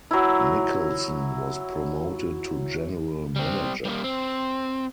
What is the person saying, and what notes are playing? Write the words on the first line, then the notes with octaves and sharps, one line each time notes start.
Nicholson was promoted to general manager.
F#3 E4
G3 C4
G3 A#3
C4